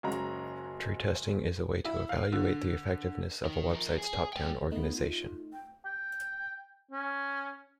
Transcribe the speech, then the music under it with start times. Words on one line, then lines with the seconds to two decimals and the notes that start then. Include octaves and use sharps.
Tree testing is a way to evaluate the effectiveness of a website's top-down organization.
0.03 F#1 F#3 G#3 A#5
1.85 E4
2.09 F5
2.32 D3
3.45 D#3 D#4
3.73 F3 A#4
3.98 G#4
4.33 G#3 G5
4.72 A3 B3 D#4
4.96 F4
5.53 G5
5.85 G5
6.91 C#4